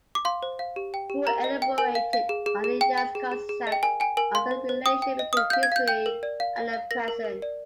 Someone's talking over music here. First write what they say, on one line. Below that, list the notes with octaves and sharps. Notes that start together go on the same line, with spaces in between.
Wu elaborated on the Yan's concept of the relation between history and the present.
D6
F5 C6
C5
F5
G4
G5
G4
A#4 A#5
D#5
G5
A#4 G#5
F5
F5
G#4
G#4
G#4
G5
G5
G#4
G#4
G#4
D#5
G5
A#4 G#5
G5 G#5
A#4 G#5
F5 C6
C5
C5
G5 D#6
G5
D#5
D#6
F5 F6
F5 G6
G#6
F5 G6
G5 G6
A#4
D5
F5
F5
F5
A#4 A#6
A#4
A#4
D5